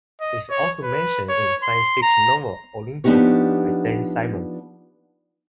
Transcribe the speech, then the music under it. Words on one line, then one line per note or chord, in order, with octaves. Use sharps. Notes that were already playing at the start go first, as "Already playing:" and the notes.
It is also mentioned in the science fiction novel "Olympos," by Dan Simmons.
D#5
C#5
B4
C#5
C6
A#5
F3 B3 D4 D#4 G4 C#5